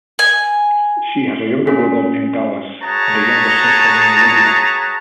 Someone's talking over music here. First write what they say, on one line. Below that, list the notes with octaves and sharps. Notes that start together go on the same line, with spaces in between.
She has a younger brother named Dallas and a younger sister named Lydia.
G#5
C#4
F#4 G#4 B4 C#5 A5 A#5